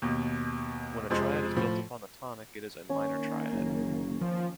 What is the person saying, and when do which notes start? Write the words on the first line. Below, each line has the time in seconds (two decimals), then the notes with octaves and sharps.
When a triad is built upon the tonic, it is a minor triad.
0.02 D#2 B2
1.10 F2 C3 F3 G#3 C6
1.56 A2 F3
2.90 D#3 A#3 C#4
3.52 F#1
4.21 F3